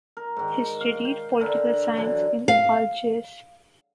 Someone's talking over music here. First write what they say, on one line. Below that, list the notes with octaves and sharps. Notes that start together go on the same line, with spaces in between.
He studied political science in Algiers.
A#4
G#2 D#3
F5
G5
D3 A#4 E5 B5
D3 E3 F#3
F5